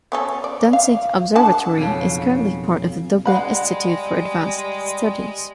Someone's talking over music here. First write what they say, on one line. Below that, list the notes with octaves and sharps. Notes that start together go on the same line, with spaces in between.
Dunsink observatory is currently part of the Dublin Institute for Advanced Studies.
B3 C#4 A4
D5
F5
D4 F#5 A5
B1 F2 C#3
G3 G#3 F5 F#5 B5